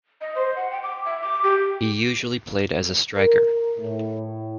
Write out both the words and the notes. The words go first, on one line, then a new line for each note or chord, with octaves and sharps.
He usually played as a striker.
D#5
C5
F#5
G5
D6
E5
D6
G4
A#4
A2